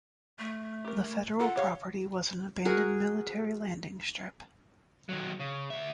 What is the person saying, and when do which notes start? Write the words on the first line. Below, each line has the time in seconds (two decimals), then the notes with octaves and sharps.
The federal property was an abandoned military landing strip.
0.39 A3
0.85 G4 A#4
1.40 F4 A4 F#5
1.56 G4 C#5 F5
2.65 F#4 G#4 A#4
5.09 D#3 F#3
5.40 C#3
5.70 D2 E5